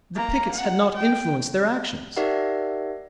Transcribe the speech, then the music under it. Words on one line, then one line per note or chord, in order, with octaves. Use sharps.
The pickets had not influenced their actions!
A#3 A#5
F#5
G5
D#4 G4 A#4 D5 E5 F#5